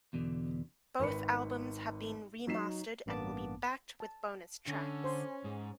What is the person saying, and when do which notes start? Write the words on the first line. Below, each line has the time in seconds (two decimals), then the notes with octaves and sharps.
Both albums have been remastered and will be backed with bonus tracks.
0.13 E2 B2 D3
0.99 G#1 D#3 B4 B5 C#7
2.47 F#3 D#4 B6 C7 E7
3.06 A1 G2 A#3 B3 A5 D6
4.00 A5
4.67 D3 C#4
5.04 C5 C6
5.44 G#2